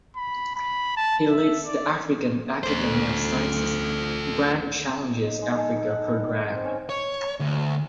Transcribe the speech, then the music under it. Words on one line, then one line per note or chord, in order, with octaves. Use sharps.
He leads the African Academy of Sciences Grand Challenges Africa Programme.
B5
B5
A5
E5
D5
D2 A4 C5
D#4
G#3
A4
D#4
F#5
G3
D#3
C4
C#4
C#5
D2